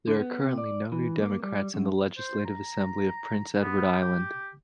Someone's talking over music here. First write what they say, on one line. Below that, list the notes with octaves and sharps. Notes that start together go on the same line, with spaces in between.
There are currently no New Democrats in the Legislative Assembly of Prince Edward Island.
D3
B3
C3
D5
E3
A#3
G3
F#2
C5
A#5
B3
G4